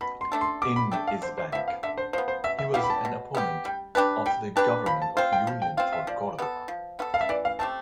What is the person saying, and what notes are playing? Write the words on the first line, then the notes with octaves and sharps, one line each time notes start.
In is bank, he was an opponent of the government of Union for Córdoba.
B2 B5
C6
A3 D4 A4
C6
B2 D6
B5
A3 D4 A4 G5
F5
D3 C5
C5
F3 B3 E5
F5
D3 E5
C5
F3 B3 C5
C5
B2 E5
E5
B3 E4 G4 F5
B5
A5
B2
B3 E4 G4
G3 G5
D4 G4 B4 A5
G3 G5
D4 G4 B4 A5
F3 B5
A5
C4 F4 C5
G5
F3
G5
C4 F4 F5
E5
F3 D5
B3 F4 A4
F3
B3 F4 A4
F5
E5
E3 D5
F5
A3 C4 G4 A5